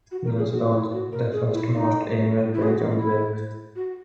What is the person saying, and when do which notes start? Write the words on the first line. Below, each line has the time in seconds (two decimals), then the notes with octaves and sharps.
News launched the first "most-emailed" page on the web.
0.11 F#4
0.25 A#4
0.38 G#4
0.52 F#4
0.72 E4
0.92 F#4
1.12 A#4
1.32 G#4
1.53 E4
1.73 D#4
2.54 E4
2.62 G#4
2.68 F#4
2.81 A#4
2.95 E4
3.75 F#4